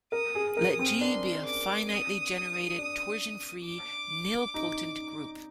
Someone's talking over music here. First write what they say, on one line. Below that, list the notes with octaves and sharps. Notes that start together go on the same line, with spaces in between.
Let "G" be a finitely generated torsionfree nilpotent group.
A#4 D#6
G#4
A#4 D#6
C4
D4 C6
D6
D#6
D4
D6
D#4